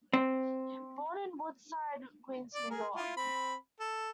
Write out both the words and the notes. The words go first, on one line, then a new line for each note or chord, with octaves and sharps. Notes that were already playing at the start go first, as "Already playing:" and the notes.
Born in Woodside, Queens, New York.
C4
D5
G#4 A#4
E4 F4
C4 B5
A4